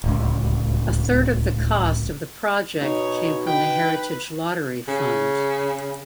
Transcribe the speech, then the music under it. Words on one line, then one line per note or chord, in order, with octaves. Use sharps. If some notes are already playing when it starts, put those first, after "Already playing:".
A third of the cost of the project came from the Heritage Lottery Fund.
D1 C#2
B2 D#4 C#5
B4 G5
C#3